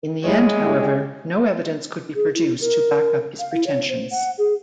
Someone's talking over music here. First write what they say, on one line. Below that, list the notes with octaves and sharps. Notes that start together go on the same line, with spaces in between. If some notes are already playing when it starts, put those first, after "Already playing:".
In the end, however, no evidence could be produced to back up his pretensions.
G3 G#3 E4 C#5
E4 G4 C#5
G#4
E4
A#4
F5
E4
C#5
C5
F#5
G#4